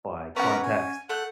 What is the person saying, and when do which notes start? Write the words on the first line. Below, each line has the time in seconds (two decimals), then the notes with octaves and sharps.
by context,
0.36 B3 C#4 A#4 B4 F#5
0.63 G#5
1.09 A3 F#5 G6